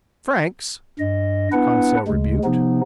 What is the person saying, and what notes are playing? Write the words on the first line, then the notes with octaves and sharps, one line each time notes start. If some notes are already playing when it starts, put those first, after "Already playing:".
"Francs!" Conseil rebuked.
G2 D#5
B3 D4 E4 B4 F#5
D2 C#3 G#3
C3 F3 B3 D#4